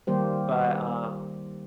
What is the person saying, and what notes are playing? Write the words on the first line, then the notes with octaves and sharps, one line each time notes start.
But, um
D#3 G3 A#3 G4 C5